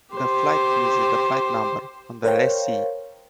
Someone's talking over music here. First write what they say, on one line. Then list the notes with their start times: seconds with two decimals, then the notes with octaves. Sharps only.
The flight uses the flight number of the lessee.
0.15 G4 C5
2.24 A#4 C5 C#5 F5 G5